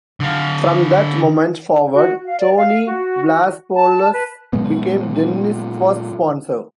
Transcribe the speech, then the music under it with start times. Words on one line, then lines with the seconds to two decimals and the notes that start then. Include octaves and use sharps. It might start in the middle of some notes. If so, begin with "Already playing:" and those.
From that moment forward, Tony Vlassopulos became Dennis' first sponsor.
0.20 D3 F5
1.94 F#4
2.24 F5
2.38 D5
2.57 F5
2.86 F#4
3.74 A5
4.12 B4
4.53 A#2 F#3 G#3 B3